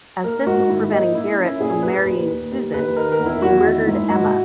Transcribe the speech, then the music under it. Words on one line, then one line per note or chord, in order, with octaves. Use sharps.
As this was preventing Garrett from marrying Susan he murdered Emma.
A#3 A#4
G#2 F#4
D#3 E4
A#3 D#4
A#3 E4
C#4
E4
A#2 G#4
A#2 B4
D#2
D#2
D#2
D#2 B4
D#3 A#4
A#4
E2
E4
E2 F#4
D#3 E4
G#2 E4
G#2 F#4